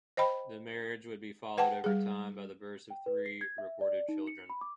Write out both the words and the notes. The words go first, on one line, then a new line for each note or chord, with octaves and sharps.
The marriage would be followed over time by the births of three recorded children.
C5 D#5 G5 B5
B4 F#5 G5 A5
G3 G#4
G5
B4
C7
G#6
E5
D5
D#4
C#7
B5
D6